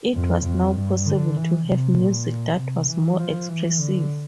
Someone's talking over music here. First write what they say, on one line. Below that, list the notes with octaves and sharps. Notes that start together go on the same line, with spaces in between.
It was now possible to have music that was more expressive.
F2
F2
G2
D3
E3
C3
A#2
C3
E3
F3
E3
D3